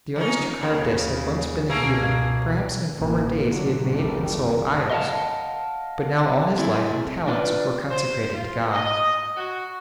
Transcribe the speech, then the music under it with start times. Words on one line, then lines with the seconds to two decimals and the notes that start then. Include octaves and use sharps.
The artist who carved this had once been a heathen; perhaps in former days he had made and sold idols, but now all his life and talents were consecrated to God.
0.16 F3 C#4 D#4
0.60 D#2 C#3 F3 B3
1.69 C#2 B2 A3 A#3 G#4
2.95 A1 D2 A2 A#3
3.47 A2 D3 F#3
3.88 F#1 C2 F2 D#3 G3 A3
4.90 D#5 F5 F#5 A5
6.58 A3 C4 E4 G#4
7.28 D4 F4 B4 D5
7.90 C5
8.33 F4
8.73 D#5
9.37 F#4